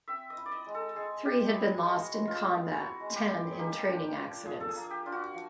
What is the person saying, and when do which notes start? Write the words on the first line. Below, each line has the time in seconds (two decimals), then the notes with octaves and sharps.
Three had been lost in combat, ten in training accidents.
0.08 C4 E5
0.30 D#5
0.37 E4
0.46 D5
0.52 D#5
0.66 G#3
0.74 A4
0.95 G#3 G#4
1.25 C4 G4
1.54 E4 G#4
1.83 G#3 F#4
2.13 G#3
2.28 F4
2.42 C4
2.72 E4 F#4
3.00 G#3
3.15 G4
3.30 G#3
3.52 G#4
3.59 A#3 G4
3.88 D4
4.17 F3
4.46 F3 G#4
4.60 A4
4.69 G#4
4.76 A#3
4.90 G4
5.06 D4 F4
5.12 F#4
5.34 F3